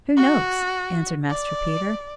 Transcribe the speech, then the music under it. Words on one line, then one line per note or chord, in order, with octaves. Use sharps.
'Who knows?' answered Master Peter.
F#4
D5